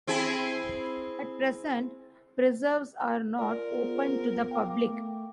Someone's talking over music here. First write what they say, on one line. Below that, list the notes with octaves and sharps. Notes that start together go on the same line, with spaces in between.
At present, preserves are not open to the public.
C4 E4 G#4
F4 A#4 D5
B3 G#4 C5
F5 G5 D6
A3